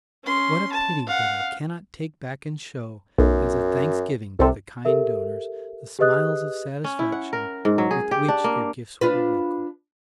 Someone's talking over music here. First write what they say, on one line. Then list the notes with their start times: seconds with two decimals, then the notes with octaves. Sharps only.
What a pity that I cannot take back and show, as a thanksgiving to the kind donors, the smiles of satisfaction with which their gifts were welcomed.
0.24 C#4 C6
0.72 A5
1.07 F5 F#5
3.18 B1 F#2
4.39 C2 C3 A4
4.85 G4 A4 A#4 E5
5.99 G4 G#4 B4 D#5 D#6 F#6
6.84 C#4
6.99 E4
7.12 F#5
7.33 A#4
7.65 G#2
7.78 F#3
7.91 G#4
8.11 G4
8.28 D4
8.44 A#3
9.01 D4 F4 B4